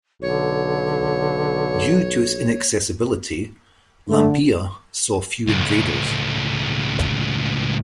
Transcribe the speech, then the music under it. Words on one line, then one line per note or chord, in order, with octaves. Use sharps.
Due to its inaccessibility, Lampeia saw few invaders.
B1 D3 C#5
D3 A3
C#2 A2